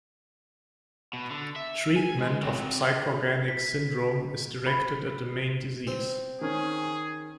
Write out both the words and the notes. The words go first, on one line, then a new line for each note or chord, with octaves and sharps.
Treatment of psychorganic syndrome is directed at the main disease.
B2
D3
E5
G#5
G#3
C4 F#4
B6
B5
C4
D#3 C#4 G#4